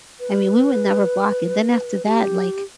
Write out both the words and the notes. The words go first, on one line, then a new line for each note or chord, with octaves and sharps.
I mean, we would never block it. Then after that, like,
B4
G4